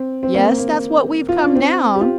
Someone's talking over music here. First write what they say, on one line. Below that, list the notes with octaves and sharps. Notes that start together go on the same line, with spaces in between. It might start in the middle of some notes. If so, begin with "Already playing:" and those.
"Yes; that's what we've come down."
Already playing: C4
C4
A#3
A#3
F4
D4
C4
G4
F4